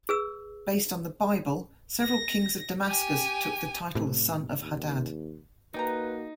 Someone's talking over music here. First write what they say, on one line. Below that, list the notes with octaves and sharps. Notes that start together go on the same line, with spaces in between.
Based on the Bible, several kings of Damascus took the title son of Hadad.
G#4 B4 E6
A#6
G4 G#5
A2 C3
D#2
A#3 D#4 F#4 B4 D5 G5 A#5